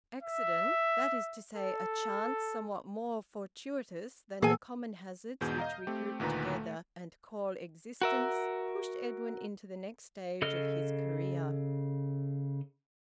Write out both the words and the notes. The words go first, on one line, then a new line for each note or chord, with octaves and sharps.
Accident--that is to say, a chance somewhat more fortuitous than the common hazards which we group together and call existence--pushed Edwin into the next stage of his career.
E5
A4
A#2 E3 A#3 B3 G#4 A4 G#5
E2 G#2 B2 G#4 G6
D#5 F5 A#5
A3 C4 G4
D2 A#2 D#3 B4 A#5
A3
F#4 A#4 E5
C#3 A4 D#5 E6 F6